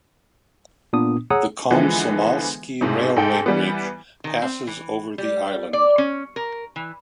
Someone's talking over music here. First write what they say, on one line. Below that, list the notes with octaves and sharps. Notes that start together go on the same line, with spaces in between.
The Komsomolsky Railway Bridge passes over the island.
A#2 B3 D4 D#6
G#4 C#5 F#5 A#5 D#6 E6
D3 E3 F3 G#3 B3
B1 G#2 C3
G#2 A4 G5
E3 G3 B3
D#3
C4
E3
G3
D5
C#4
A#4
E3